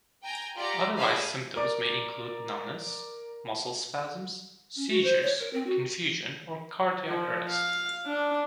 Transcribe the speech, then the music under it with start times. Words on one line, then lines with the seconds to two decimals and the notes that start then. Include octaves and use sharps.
Otherwise symptoms may include numbness, muscle spasms, seizures, confusion, or cardiac arrest.
0.22 G5 G#5 A#5 G6
0.56 F4 G4 D5 F#5 A#5
0.95 D4 G#4 E5 F5 G#5 B5
1.56 A#4 D5
4.76 C#4
4.89 F#4
5.04 C5
5.23 C#5
5.40 A#4
5.53 C4
5.67 F#4
7.08 F3
7.49 F5
8.07 D4